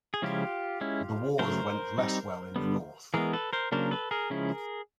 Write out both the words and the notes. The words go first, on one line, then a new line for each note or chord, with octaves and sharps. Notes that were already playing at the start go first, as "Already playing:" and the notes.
The wars went less well in the north.
G#4
C#3 F3 G#3 C#4 E4 F4 G4
G#3 C#4 E4
C#3 F#3 A3 A#4 C5
G3 C4 D#4
D3 G3 B3
E3 G#3 B3 G#4 A#4
A4 B4
A#4 C5
C#3 F#3 A#3 D4 A#4 C5
A4 B4
G#4 A#4
C#3 F3 G#3 C#4 E4